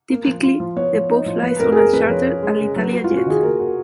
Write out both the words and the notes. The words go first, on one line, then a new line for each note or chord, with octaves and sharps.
Typically, the Pope flies on a chartered Alitalia Jet.
A#3
F3
F4
F3
B3 C#5
F3
D#4
F3
F3 B4
F2 A#4
G#4
A#3 A#4
F2 B4
F3 C#5
C#4
G#3
C#3
F#3 B4
F#4
F4
C#4
F#4
D#3 G#4
A#3 A#4
F#4